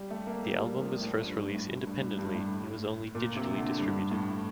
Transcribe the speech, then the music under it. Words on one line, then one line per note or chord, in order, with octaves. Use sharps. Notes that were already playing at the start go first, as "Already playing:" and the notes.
The album was first released independently and was only digitally distributed.
Already playing: G3
A3
A#3
A3
G3
F3
A2
G2
A2
G2
G2
G2
A2
A#2
C3
D3
G2
A2